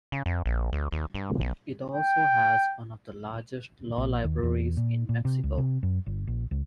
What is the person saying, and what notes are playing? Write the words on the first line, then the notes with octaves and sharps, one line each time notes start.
It also has one of the largest law libraries in Mexico.
C#3
F2
A#1
D2
D#2
G2
B1
G5
A#1
D#2
E2
A#2
A#2
C3
C#2
C3
F#2
G1
A#1
C#2